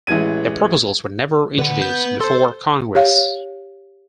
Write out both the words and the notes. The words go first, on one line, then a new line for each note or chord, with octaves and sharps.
The proposals were never introduced before Congress.
A1 E3 G#3 G#6 D#7
D3 B4 F#5
G6
A4 C5 C6
G4 C#5 F5